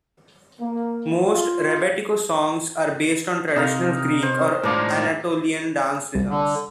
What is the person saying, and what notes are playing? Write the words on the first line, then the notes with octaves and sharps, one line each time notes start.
Most rebetiko songs are based on traditional Greek or Anatolian dance rhythms.
A#3
F4
C3 D#4 A#4 F5
C5
A2 G#3 D4 F4 A#4
C2
D3